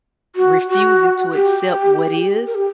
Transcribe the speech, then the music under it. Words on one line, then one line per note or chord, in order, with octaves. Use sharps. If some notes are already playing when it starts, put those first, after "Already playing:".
refusing to accept what is
F#4
F#4
G4
A#4
G4